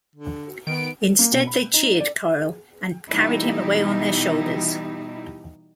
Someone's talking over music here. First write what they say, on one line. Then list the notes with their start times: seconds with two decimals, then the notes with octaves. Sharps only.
Instead, they cheered Curll and carried him away on their shoulders.
0.16 D3
0.67 D#3 B3 D7
1.19 A#3
1.32 B2
1.47 B5
1.74 D#4
2.00 D5
3.09 B2 E3 G3 D#4 E4 G4